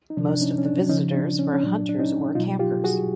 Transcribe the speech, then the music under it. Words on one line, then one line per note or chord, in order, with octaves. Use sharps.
Most of the visitors were hunters or campers.
D#4
C3 F3 D4
D4
C#4 D#4
C#4
D4
C#3 F3 C#4 D#4
D4
C#4
C#4
A#2 F#3 D4
D4
C#4 D#4
B2 F#3 D#4 F4
F4 G4
F#4 G#4